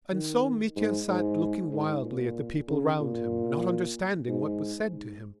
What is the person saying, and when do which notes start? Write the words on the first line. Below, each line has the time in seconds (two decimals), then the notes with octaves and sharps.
And so Mitya sat looking wildly at the people round him, not understanding what was said to him.
0.12 D#3
0.76 G#2
1.09 G#2
1.72 G#2
2.04 A#2
2.68 C#3
3.00 A#2
4.28 G#2
4.92 G#2